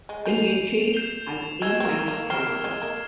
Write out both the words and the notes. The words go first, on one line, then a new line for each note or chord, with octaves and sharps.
Indian Chiefs, as in-house counsel.
G#3
G#3 G6 C7 F7
G6 C7 E7 G7
G#3 E6 G#6 E7 G7
C4
A#3
A#3
C4 F6 C7 E7 G7
A#3
G#3
A#3